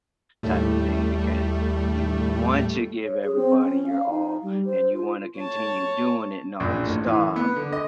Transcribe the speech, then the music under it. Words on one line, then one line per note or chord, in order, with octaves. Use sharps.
type of thing because you want to give everybody your all, and you wanna continue doing it nonstop
D#2 A2 G3 A3
C#5
G#4
C4
C#4
F5
D#4
G3
C5
F4
C#5 A5
A#1
A1
E3
B3
D3
D#5